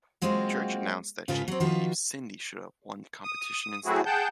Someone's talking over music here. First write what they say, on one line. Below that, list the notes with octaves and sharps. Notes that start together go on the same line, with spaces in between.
Church announced that she believed Cyndi should have won the competition instead.
F#3 G#3 A#3 C4 F4 F#4
G#2 C#3 F4 A4 B4
F#3 C4
D#3 F3 F4 F#4 B4
D#6
F#3 A3 C4 E4 F#4 G#4
G#4 F#5 G5 A5 G6